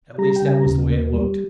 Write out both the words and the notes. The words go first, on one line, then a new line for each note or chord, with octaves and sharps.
At least that was the way it looked.
G3 A#5
G5
C#3 G#5
A#5
D#2
A#3
G3